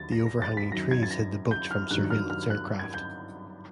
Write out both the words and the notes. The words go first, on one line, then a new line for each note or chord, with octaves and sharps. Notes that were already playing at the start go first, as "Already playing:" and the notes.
The overhanging trees hid the boats from surveillance aircraft.
Already playing: D#2 D3 F#3 A6
A#6
A#6
A6
B6
F#2 D#3 F#3 A#6
G#6
A6
A#6
G6
F6
G2 D#3 F#3 F#6
F6
F6
F#6
G#6
G6